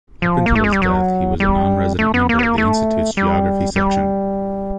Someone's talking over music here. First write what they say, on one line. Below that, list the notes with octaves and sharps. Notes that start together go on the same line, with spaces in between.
Up until his death he was a non-resident member of the Institute’s geography section.
F3
A#3
A3
G#3
G3
F#3
G3
A3
B3
A#3
B3
A#3
A3
G3
G3